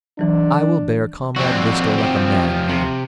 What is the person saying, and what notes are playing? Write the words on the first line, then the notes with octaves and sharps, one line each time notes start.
I will bear Comrade Bristow like a man here.
E3 F#3 D4
F2 D3 C4 F#4
F3 G4
C3